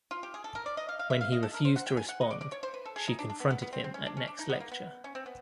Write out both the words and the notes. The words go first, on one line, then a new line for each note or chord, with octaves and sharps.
When he refused to respond, she confronted him at next lecture.
F4
G4
G#4
A4
A#4
D5
D#5
F5
F5
E5
F5
D#5
A4
A#4
C5
F#5
G5
G#5
F#5
D#5
D5
D5
C#5
C5
B4
A4
G#4
D#4
D4
D4
B3
B3
B3
C4
C4
C#4
D4
C#4
D4
D#4
B3
A#3
B3
C#4
C4
B3